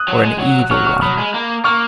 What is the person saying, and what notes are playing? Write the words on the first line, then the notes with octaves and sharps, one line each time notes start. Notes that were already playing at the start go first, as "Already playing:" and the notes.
Or an evil one?
Already playing: D#6 F#6
F#3
G#3
F#3
F#6
F#3 C#6 F6
C#6 F6
F#3 B5 D#6
G#3
A#3
A#3 C#6 F6